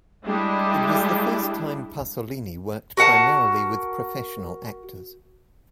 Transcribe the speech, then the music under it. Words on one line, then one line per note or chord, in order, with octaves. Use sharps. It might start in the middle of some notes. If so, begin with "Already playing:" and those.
It was the first time Pasolini worked primarily with professional actors.
G3 G#3 D4 E4 G4
F#4 A#4 F#5 A5